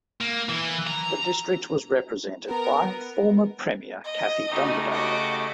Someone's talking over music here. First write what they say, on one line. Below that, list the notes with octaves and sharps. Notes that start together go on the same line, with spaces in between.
The district was represented by former premier Kathy Dunderdale.
A#3
E3
A#5
B3 A#4
D#5
C#3 A3 D#4 F#4 G4
F#4 D#5 D6